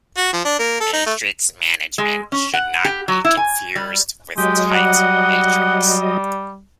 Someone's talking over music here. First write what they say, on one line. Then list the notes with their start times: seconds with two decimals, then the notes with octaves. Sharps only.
Matrix management should not be confused with "tight matrix".
0.17 F#4
0.33 F3
0.45 D4
0.59 A#3
0.80 A4
0.93 D#4
1.06 A3
1.98 G#3
2.32 C#4
2.54 F#5
2.85 G4
3.08 F#3
3.25 E4
3.37 G#5
3.75 G3
4.38 F#3 G#3 G4 D#5
4.75 G3 F#5